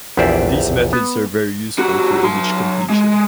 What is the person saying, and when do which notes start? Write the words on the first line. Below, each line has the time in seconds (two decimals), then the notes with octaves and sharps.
These methods are very useful for image completion.
0.17 A#1 E2 E4 G4 C5 D5
0.93 B3
1.79 G3 F#4
2.23 F#3 C6
2.90 G#3